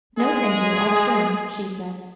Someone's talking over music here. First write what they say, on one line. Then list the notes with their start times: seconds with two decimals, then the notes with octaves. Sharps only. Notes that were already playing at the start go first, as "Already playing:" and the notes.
"No, thank you; I'll swim!" she said.
0.19 G#3 G#4